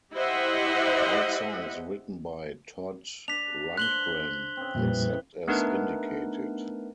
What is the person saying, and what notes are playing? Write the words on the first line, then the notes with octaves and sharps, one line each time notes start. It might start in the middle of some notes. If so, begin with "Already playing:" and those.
All songs written by Todd Rundgren except as indicated.
E4 G4 C5 D#5 E5 F#5
D4 B6 F7
C5 F#6 F#7 G7
C#3 C4
F2 A#2 E3 G3
A3 B3 D4 D#4 A#4 B4